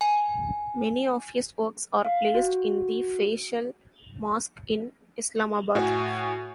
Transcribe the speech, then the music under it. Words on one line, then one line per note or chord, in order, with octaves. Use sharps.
Many of his works are placed in the Faisal Mosque in Islamabad.
G#5
F5
F#4
A2 F#4 G#5